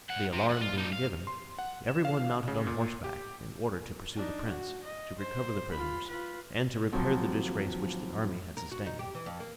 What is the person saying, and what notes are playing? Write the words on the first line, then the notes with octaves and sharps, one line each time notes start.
The alarm being given, every one mounted on horseback, in order to pursue the prince, to recover the prisoners, and to repair the disgrace which the army had sustained.
F#2 F#5
C3
E2 F#5
F4
D4 D#4
F5
C6
F#5
E7
F5
C#3
A#2
G4
D4 D#4
F#4
D#5
C5
F4 B5
F4 B4
D#2 F3 F#3 C4
A#4
F#4
D#4
G4
E3
F2
A#3